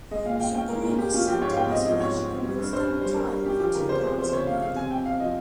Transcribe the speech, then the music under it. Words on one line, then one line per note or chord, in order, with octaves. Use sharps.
Supreme is sent to isolation and will stand trial for two counts of murder.
G#3 D#5
A#2 F5
F5
A#2 G5
C#4 G5
G#3 A#4
A#2 A#4
A#2 G4
C#4 F4
F3 G4
G#2 C#5
F5
G#2 G5
C4 D#5
F3 D#5
G#2 C#5
G#2
C4
G3
G2
G2 C5
C#4
G3 C5
G2 A#4
G2
C#4 G4
F3 G4
C#3 A#4
C#3 C5
C4 C5
F3 C5
C5
C#3 C#5
C#3 F5
C4 F5
C3 G#5
F2 G5
C4 F5
F3 D#5